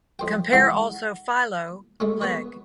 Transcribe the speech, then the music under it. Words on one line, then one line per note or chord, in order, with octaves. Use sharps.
Compare also Philo, Leg.
F2 C5 G5
C#2 E3 E4 F#5
G#3 A3 C#4
B3 B4 C#5